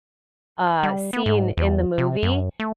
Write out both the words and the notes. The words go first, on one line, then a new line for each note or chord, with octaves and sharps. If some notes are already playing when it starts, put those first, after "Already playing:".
uh, scene in the movie.
G3
B3
G#2
E2
C3
F#2
A3